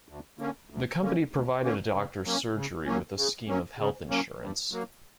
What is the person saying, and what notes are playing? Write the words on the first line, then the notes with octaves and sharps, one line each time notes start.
The company provided a doctor's surgery with a scheme of health insurance.
D2
D3 A#3 C#4
D2
D3 A#3 C#4
D2
D3 A#3 C#4
C#3
F#3 A#3 C#4
C#3
F#3 A#3 C#4
C#3
F#3 A#3 C#4
C#3
F#3 A#3 C#4
G2
F#3 A#3